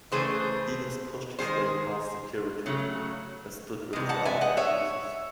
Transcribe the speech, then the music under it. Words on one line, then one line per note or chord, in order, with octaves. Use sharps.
Evans pushed his way past security, and stood with the other producers.
C#3 E3 A3 G#4 C5
D#3 G#3 G#4 C5
C#3 F#3 A3
C3 E3 G#3
F#5 A5
E5 G#5
D#5 F#5
C#5 E5